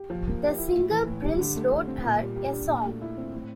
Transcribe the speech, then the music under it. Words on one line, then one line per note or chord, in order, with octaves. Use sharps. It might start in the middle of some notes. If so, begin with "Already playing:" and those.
The singer Prince wrote her a song.
Already playing: G4
F3
A#3
G4
E4
A2
E3
A2
G3
D3
A3
D3
C4
A#2
G3
G4
D4
A#2
A3
E4
C4
A2